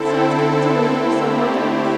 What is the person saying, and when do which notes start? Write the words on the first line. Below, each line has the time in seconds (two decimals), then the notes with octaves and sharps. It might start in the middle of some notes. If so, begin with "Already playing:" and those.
Signs can be delayed for several days.
Already playing: D3 C4 E4 A4
0.94 D3 A3 C4 E4 G4